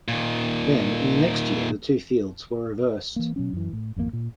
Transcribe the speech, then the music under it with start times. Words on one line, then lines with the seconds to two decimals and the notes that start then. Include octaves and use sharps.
Then, in the next year, the two fields were reversed.
0.08 A#2 D#3
3.16 E3 A#3
3.36 B2 F#3 C#4
3.53 F#2 E3
3.73 A2
3.96 G#1 F2 B2 A#3
4.13 A#2